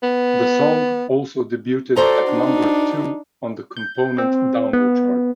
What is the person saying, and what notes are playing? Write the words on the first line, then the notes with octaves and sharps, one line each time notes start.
The song also debuted at number two on the component Download Chart.
B3
F#4 A4 C5 D5 A#5
D4 D#4
G6
C4
B3